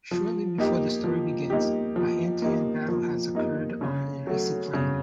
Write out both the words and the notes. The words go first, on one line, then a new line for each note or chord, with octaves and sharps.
Shortly before the story begins, a hand-to-hand battle has occurred on an icy plain.
F3
A#3 D#4 G4
F3
A#3 D#4 G4
F3
A#3 D#4 G4
F3
A#3 D#4 G4
C#3
F#3 A3
C#3